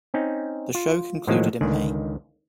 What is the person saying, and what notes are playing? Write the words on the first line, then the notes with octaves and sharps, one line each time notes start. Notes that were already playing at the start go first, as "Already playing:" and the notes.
The show concluded in May.
C4 C#4 D#4
F4
A2 D#3 F3 F#3 G#3 A#3
C#2 D3 D#3 D5 G#5